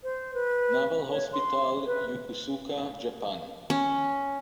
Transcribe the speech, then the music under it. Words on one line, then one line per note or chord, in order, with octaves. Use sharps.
Naval Hospital, Yokosuka, Japan.
C5
B4
C#5
C6
B4
C#4